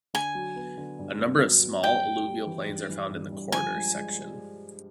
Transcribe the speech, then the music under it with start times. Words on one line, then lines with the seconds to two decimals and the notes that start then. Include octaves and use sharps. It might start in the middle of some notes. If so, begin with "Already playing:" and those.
A number of small alluvial plains are found in the corridor section.
0.14 D3 G#5
0.35 F#3
0.56 B3
0.77 D3
0.99 G2
1.20 B3
1.41 F#3
1.63 F#3
1.84 G2 G5
2.05 G2
2.26 G3
2.47 E3
2.68 G2
2.90 E3
3.10 G2
3.32 G2
3.52 F3 G#5
3.74 G#3
3.96 G#3